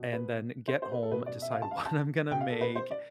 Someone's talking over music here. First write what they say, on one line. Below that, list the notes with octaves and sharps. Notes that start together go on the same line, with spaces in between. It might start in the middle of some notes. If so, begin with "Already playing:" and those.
and then get home, decide what I'm gonna make,
Already playing: B2
B4
C5
C5
B4
A4
B2 B4
D5
E5
F5
A5
F5
A5
B2 G5
F5
A4
B4
C5
D5